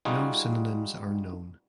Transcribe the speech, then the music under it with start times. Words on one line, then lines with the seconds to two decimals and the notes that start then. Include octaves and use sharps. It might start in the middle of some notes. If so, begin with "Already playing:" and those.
No synonyms are known.
0.05 G3 D#4 F4 F#4 G#4